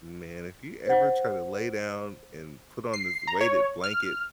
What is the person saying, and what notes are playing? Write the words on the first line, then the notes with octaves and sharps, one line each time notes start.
man, if you ever try to lay down and put on this weighted blanket,
C5 F#5
C7
A#5
C#5
F6